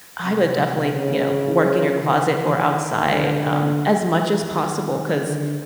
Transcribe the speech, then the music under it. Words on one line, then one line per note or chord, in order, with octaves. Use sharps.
I would definitely, you know, work in your closet or outside, um, as much as possible, 'cause
C3
C#3
D#3
E3
D#3
D3
D3
E3
D#3
D3